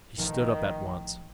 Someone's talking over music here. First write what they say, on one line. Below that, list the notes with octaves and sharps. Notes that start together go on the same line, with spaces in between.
He stood up at once.
A1 D#3 F3